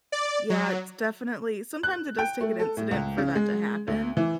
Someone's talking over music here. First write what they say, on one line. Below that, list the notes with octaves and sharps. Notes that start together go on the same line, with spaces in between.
Yeah, it's definitely sometimes it does take an incident for that to happen,
D5
F#3
F#6
G5
A3
A4
A2
C#2
C#3
G#3
D2
E3